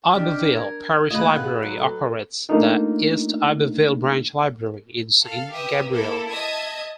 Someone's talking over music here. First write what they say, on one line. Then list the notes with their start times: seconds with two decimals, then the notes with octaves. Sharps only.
Iberville Parish Library operates the East Iberville Branch Library in Saint Gabriel.
0.14 D#3 D4 G4 F6
0.52 A#4 G#6
1.10 D2 A#3 F4 B4 D#5
1.36 F#4 G#4 F#5
1.63 F#3
1.78 A4
2.49 A3 A#3 D4 D#4 F4
5.23 A4 F5
5.52 G4 B4 E5 D#6
5.88 A#3 E4 A4
6.29 D#5 E5 A5 D#6 G#6